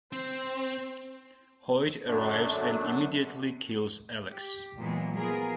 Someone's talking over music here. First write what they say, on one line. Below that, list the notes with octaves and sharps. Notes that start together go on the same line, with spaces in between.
Hoyt arrives and immediately kills Alex.
C4 C5
F#2 D3 F#3 A3 D4
G4
A#2 E3 F#3 G#3 A#3 B3
F3 B3 F4 G#4 A#4